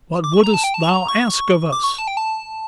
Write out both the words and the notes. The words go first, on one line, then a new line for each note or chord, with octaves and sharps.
'What wouldst thou ask of us?
D6
C#6
A#5
A5
G5
A5
C#6
A5
A#5
C#6
D6
C#6
A5
G5
A5